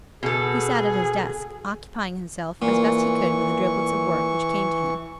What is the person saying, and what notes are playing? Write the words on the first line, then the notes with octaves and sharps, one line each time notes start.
He sat at his desk, occupying himself as best he could with the driblets of work which came to him.
B2 G#4 A4
A#2 E3 C#6